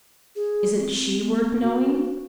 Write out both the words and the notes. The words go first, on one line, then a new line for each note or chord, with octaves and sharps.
Isn't she worth knowing?
G#4
C4
B3
F#4